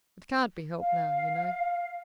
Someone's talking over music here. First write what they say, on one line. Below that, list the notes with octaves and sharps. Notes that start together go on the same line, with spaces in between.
It can't be helped now, you know.
F5